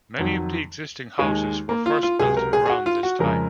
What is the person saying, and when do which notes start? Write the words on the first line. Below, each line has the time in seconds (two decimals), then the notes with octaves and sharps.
Many of the existing houses were first built around this time.
0.18 F2 D#3 F#3
1.19 D#2 D#3 G#3
1.69 A#3
1.86 F4
2.03 F4
2.19 C#2 C3 F#3 G#4
2.37 A#4
2.53 G#4
2.66 G#4
2.70 F#4
2.86 F4
3.03 F#4
3.19 F2 C#3 F3 G#3 A#4